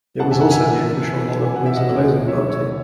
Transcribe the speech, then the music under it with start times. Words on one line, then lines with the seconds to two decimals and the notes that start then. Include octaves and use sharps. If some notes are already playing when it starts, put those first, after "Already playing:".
It was also the official Lollpalooza closing party.
0.20 F#2 C#3 E3 B3 F#5 A5
0.31 E5 G#5
0.41 F#5 A5
0.51 E5 G#5
1.45 G#5
1.56 F#5
1.66 E5
1.76 D#5 F#5
1.87 D#2 D#3 A3 C#4
2.28 C#5 E5
2.48 C#5 E5